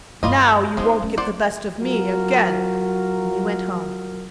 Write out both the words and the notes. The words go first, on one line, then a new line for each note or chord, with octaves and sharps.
'Now you won't get the best of me again!' And he went home.
G2 G3 D4 F4 D#5
F3 G#3 B3 D#4
A3 C#4
A#3 C5 D5 F#5
F#3 F4 F#4 A#4